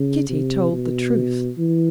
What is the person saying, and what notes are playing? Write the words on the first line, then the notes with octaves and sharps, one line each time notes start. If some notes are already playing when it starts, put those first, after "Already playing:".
Kitty told the truth.
Already playing: C#3
C3
B2
E3